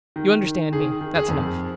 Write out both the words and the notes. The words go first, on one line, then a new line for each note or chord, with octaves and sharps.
You understand me; that's enough.
D#3
D#3
D#3 G#4
D#3
G#4
F2